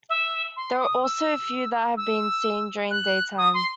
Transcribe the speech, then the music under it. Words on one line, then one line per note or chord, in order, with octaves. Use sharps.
There are also a few that have been seen during daytime.
E5
C6
D#6
E6
E6
F#6
D#6
C6